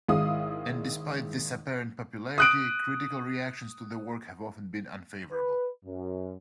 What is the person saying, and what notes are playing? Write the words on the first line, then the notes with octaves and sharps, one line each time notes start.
And despite this apparent popularity, critical reactions to the work have often been unfavourable.
G#1 D#3 G#3 E4 F5 D#6
D#6 F#6 D7
B4
F#2